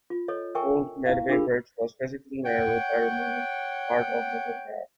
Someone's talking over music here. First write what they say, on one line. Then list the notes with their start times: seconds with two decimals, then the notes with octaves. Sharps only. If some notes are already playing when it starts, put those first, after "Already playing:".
The old Medway Bridge was physically narrowed by removing part of the footpath.
0.10 F4
0.28 A4 C#5 D#5
0.55 A4 A#4 E5 G5 G#5 C#6
1.06 E4 F5
1.29 D4 F4 G4 G#4 A#4 B5
2.44 C#5 F#5 G5